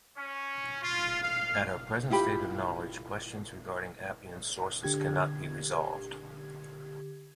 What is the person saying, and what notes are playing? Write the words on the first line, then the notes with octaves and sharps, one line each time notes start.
At our present state of knowledge questions regarding Appian's sources cannot be resolved.
C#4
F4
F5
E4 F4 G4 B5
D3 G4 G#6